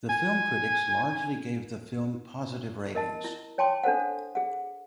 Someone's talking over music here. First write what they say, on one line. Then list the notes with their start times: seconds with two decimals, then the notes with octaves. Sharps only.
The film critics largely gave the film positive ratings.
0.10 G#5
2.95 A#4 D#5 A5
3.24 E4
3.58 C#5 G5 A5 C6 D6
3.83 D4 A4 C5 F#5
4.35 G#4 F#5